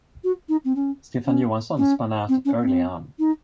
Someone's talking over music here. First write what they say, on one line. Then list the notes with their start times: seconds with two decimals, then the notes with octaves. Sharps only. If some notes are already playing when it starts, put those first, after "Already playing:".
Stefan Johansson spun out early on.
0.24 F#4
0.49 D#4
0.65 C4
0.75 C#4
1.26 C#4
1.77 C#4
2.28 C4
2.45 C#4
2.62 C4
3.19 D#4